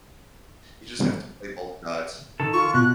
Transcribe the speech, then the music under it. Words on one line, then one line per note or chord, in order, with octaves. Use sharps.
you just have to play both sides.
D#3 A4
F4 C#6
B2 F#6